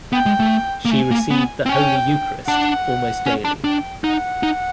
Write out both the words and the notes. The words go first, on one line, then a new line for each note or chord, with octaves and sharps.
She received the Holy Eucharist almost daily.
B3 G5
G#3
A3
A#3
A3 G#5
A#3
B3
C4
C#4 G5
D4 F#5
C#4
D4
D4 G5
D#4 F#5
D#4